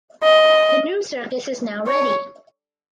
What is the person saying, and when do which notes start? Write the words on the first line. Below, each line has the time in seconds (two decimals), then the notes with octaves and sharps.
The new circus is now ready.
0.24 D#5
1.87 C#5